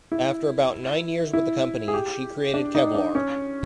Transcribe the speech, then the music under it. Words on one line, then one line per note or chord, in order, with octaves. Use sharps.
After about nine years with the company, she created Kevlar.
E4
E4
G#4
G4
D4
D#4
D4
C#4